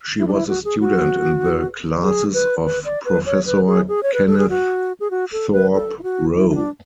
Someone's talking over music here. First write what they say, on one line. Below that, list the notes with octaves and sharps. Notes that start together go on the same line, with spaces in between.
She was a student in the classes of Professor Kenneth Thorpe Rowe.
E4
D4
E4
F#4
G#4
F#4
G#4
B4
B4
D5
B4
C#5
B4
G#4
G#4
C#5
B4
A4
G#4
F#4
G#4
F#4
A4
B4
A4
E4
F#4
E4
E4
D4